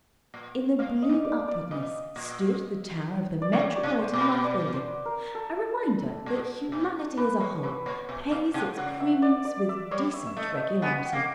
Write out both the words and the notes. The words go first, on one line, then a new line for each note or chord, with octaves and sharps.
In the blue upwardness stood the tower of the Metropolitan Life Building, a reminder that humanity as a whole pays its premiums with decent regularity.
A#2
A#2 F5
D#5
B2
D5
D5
B2 D#5
A#2
D5
C#3 C#5
D5
C3
C5
B2
B4
D5
C5
A#4
A4
A#2
B2
B2 B4
A#2 C#5
A2 B4
A#2 C#5
B2
B2 F5
C3 G5
C#3 F#5
E5
D5
D5
E5
G3 C#5
E5
E5
A3 D#5
D#5
B3 G#5
G5
A#3